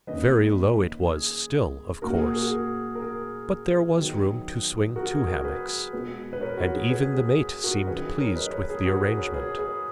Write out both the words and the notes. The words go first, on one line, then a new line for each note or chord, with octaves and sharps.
Very low it was still, of course; but there was room to swing two hammocks, and even the mate seemed pleased with the arrangement.
D#3 A#3 C#4 B4 D#5
G#4
A#2 A#3 C#4 F#4 A#4
G#4
F#4 A#4
G#4
A#4
G#4
D#3 F#3 B3
F#4 A#4
G#4
F#4 A#4
G#4 B4
B2 G#3 B3
B4
A#4 C#5
F#4
G#4
G#4 B4
G#4
F#4 A#4
D#3 F#3 C#4 G#4 B4
A#4 C#5
B4 D#5
A#4 C#5
G#4
F#4 A#4
G#4 B4
A#4 C#5
G#4 B4
G#4 B4